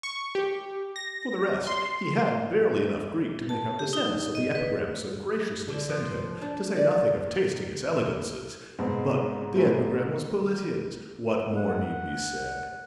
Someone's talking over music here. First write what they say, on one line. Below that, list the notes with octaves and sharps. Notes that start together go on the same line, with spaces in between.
For the rest, he had barely enough Greek to make out the sense of the epigram so graciously sent him, to say nothing of tasting its elegances; but--the epigram was Politian's: what more need be said?
C#6
G4
A#6
C6
A5
G4
D#4
D#5
B4
D3
F3
D4
D5
D#2
D#3
G#2 B2 C4
E3 A3 C4
F#5